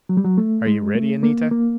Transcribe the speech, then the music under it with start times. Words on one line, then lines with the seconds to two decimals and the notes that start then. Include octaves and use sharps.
"Are you ready, Anita?"
0.09 F#3
0.17 G3
0.24 F#3
0.38 A3
0.67 G#3
0.95 A3
1.23 A#3
1.51 A#3